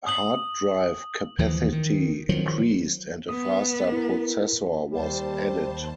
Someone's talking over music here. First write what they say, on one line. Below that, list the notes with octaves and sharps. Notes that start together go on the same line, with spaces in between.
Hard drive capacity increased and a faster processor was added.
D#6 F#7
D#2 E3 F3
D#3
D#3 F3 F#3
B3 D#6
E4 A#4
D#2 G3 C5 A5